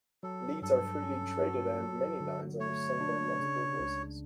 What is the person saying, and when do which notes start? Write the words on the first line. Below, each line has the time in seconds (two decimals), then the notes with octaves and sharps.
Leads are freely traded, and many lines are sung by multiple voices.
0.23 F#3 A4
0.62 G2 A4
1.02 C#4
1.42 F#4
1.81 F#3
2.20 D3
2.60 A3 C#5
3.01 D4
3.40 C#3
3.79 C#2